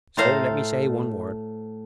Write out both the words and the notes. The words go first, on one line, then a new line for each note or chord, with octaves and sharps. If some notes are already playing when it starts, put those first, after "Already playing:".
So let me say one word.
A2 A4 C5 F5 A#5